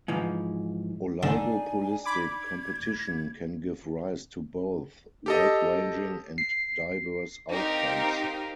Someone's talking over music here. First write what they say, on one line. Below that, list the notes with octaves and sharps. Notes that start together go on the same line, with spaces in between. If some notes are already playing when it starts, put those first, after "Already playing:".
Oligopolistic competition can give rise to both wide-ranging and diverse outcomes.
G#2 E3 F3
D3 D4 D#4 G#5
B5 D6 G#6
G4 A4 D#5
C7
C4 D#4 G4 A#4 F5 G5